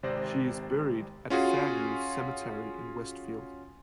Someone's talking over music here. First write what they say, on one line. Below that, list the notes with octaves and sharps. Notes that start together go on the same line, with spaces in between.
She is buried at Fairview Cemetery in Westfield.
G#1 C3 C5 D5 A#6
C#4 F4 F#4 G#4